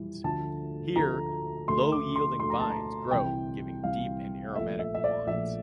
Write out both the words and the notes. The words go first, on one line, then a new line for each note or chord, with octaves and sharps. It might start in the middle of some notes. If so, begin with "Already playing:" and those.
Here, low-yielding vines grow giving deep and aromatic wines.
Already playing: F2 E3 G3
D2 D3 F3 A3 A5
D2 D3 F3 A3 A#5
D2 D3 A3 C6
D6
C6
D2 D3 A3 C6
A#5
A5
A#5
C2 C3 E3 G3 G5
C2 C3 E3 G3 F5
A#1 A#2 A3 E5
E5
E5
D5
A#1 A#2 A3 E5